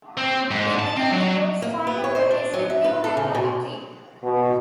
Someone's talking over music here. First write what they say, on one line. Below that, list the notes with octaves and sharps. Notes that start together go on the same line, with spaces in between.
It became the group's final release with new member, Aki.
C4
G#2
A5
C4
F#3
A#3
B3
C#5
C5
D4
F#3
E5
B4
A4
C#3
B2
B2